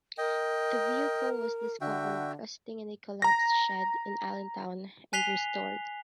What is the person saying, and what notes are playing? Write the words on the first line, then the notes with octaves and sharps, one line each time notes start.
The vehicle was discovered rusting in a collapsed shed in Allentown, and restored.
A#4 D#5 G5
D3 F#4 E5 G5
A#5 A#6
G#5 F#6 B6 C7 F7 G7